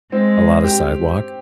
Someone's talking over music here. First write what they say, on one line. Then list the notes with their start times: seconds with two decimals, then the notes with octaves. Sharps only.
a lot of sidewalk.
0.12 G#3 C4
0.64 G4